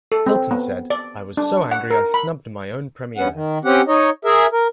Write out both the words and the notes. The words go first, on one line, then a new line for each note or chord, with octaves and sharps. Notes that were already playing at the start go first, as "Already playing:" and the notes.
Hilton said, I was so angry I snubbed my own premiere.
A4
C4
B3
D5
D4
F#5
A#4
B5
G2 B3 C#4 F#5
D#3
C4 C#4 G4 F#5
D#4 C#5 D#5
G#4 A#4 E5
A#4